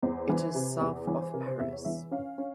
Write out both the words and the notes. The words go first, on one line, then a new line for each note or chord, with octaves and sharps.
It is south of Paris.
E2 C5
E3
C3
E2
E3 C#5
C5
C3 A#4
C5
E2 E5
C#5
E3 E5
C#4 F5
C#4